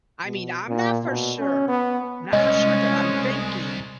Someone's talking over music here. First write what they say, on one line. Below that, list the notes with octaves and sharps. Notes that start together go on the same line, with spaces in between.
I mean, I'm not for sure. Not for sure, but I'm thinking
B2
A#2
B2
C#4
B3
C2 G#3 C#4 D#5